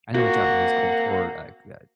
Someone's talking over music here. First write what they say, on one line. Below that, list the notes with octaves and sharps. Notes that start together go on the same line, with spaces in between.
I know in Japanese culture or, like, uh
A#3 C4 F#4 F#5